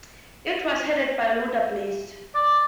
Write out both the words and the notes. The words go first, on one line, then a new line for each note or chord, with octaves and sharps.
It was headed by Luther Bliss.
D5